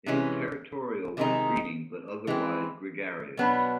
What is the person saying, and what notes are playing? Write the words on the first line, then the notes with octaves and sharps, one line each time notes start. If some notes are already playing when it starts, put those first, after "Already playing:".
It is territorial when breeding, but otherwise gregarious.
C3 E3 G#3 C#4
C3 D#3 G#3 C4 D#4
E3 G#3 C4
B2 F#3 B3 D4